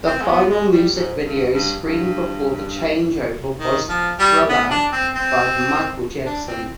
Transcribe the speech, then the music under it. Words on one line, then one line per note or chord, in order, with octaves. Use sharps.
The final music video screened before the changeover was "Thriller" by Michael Jackson.
C4
G#3
B3
G#3
G3
G#2
G2
G2
G2
D#3
F3
G3
B3
D4
C4
C4
D4
C4